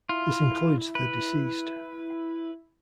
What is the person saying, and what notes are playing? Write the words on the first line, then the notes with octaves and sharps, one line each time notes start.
This includes the deceased.
E4 F4
B4